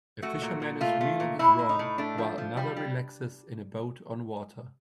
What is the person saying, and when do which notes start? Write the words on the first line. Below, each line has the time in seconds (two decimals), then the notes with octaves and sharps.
A fisherman is reeling his rod while another relaxes in a boat on water.
0.22 A3 F#4
0.42 A#2
0.62 A#2
0.81 A3 F4
1.01 A3
1.20 A#2
1.39 A2 E4
1.59 A2
1.69 D#4
1.79 A2
1.98 A3 D4
2.18 F3
2.38 F3
2.57 G3
2.76 G3